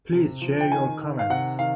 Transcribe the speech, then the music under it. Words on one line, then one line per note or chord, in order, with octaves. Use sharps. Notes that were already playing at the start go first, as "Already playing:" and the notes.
Please share your comments.
C3
F3
G5
D#3 G#5
D#3
F5
C3 F#5
D#3 F5